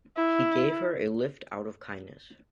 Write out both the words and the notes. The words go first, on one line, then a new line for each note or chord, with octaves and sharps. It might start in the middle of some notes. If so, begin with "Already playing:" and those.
He gave her a lift out of kindness.
E4